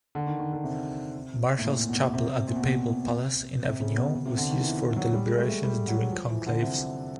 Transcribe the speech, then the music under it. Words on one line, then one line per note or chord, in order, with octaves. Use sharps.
Martial's chapel at the Papal palace in Avignon was used for deliberations during conclaves.
D3
D#3
D#3
D3
C3
A2
A#2
B2
C3
A#2
B2
C3
C3
C#3
B2
B2
C3
D3
D#3
E3
F#3
G3
G#3
A3
A3
G3
F#3
F3
E3
D3
C3